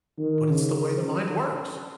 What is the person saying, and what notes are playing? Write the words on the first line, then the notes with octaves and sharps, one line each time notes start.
But it's the way the mind works.
D#3
C#3